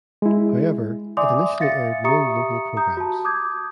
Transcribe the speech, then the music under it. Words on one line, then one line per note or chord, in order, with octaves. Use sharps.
However, it initially aired no local programs.
G#3 E4
D5 E5 G#5 C6 D6 D#6
E5 F5 A6 C#7
G4 E5 A#5 C#6 D#6 C#7
A#5 D#6 G6
F#4 A5
D6 D#6 G6 G#6